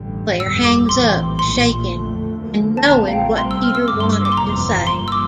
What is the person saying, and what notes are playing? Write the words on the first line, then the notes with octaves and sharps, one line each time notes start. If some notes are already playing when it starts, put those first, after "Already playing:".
Claire hangs up, shaken and knowing what Peter wanted to say.
Already playing: A1 G2 D3 G3
G1 F2 D3 G3 E6
D6
A#1 A2 E3 G3 C4 C6
A#1 A#2 A3 C6
F2 D3 A3
D2 D3 F3 A#3
A5
A#1 A#2 A3 C4 A#5
F5
G5
C2 C3 G3 C4 C6
E6
F6
E6
G2 D3 G3 A#3 D6
C6
E6
D6
C6
G1 F2 C3 E3 A#5
G2 F3 A#3 C6
E6
D6